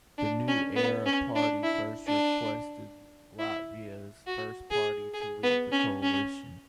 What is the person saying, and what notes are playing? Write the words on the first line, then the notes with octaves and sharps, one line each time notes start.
The New Era Party first requested Latvia's First Party to leave the coalition.
D4
C#4
B3
C#4
D4
E4
D4
E4
F#4
G#4
G#4
B3
C#4
C#4